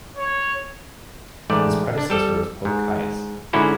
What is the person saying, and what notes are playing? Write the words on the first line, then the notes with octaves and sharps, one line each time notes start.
His predecessor was Pope Caius.
C#5
A1 G#2 A3 D5
D4
G3 A4
G#2
G#2 D3 C#4 E4 F#4